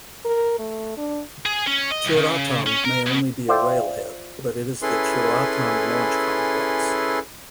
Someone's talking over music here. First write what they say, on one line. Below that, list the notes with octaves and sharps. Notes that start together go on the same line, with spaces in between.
Tyuratam may only be a railhead, but it is the Tyuratam Launch Complex.
A#4
A3
D4
G#4
C#4
D#5
C2
C#3
C#4
A#4
B2
F4 C5 D5 E5 G5
C#4 E4 G#4 A4 B4 C6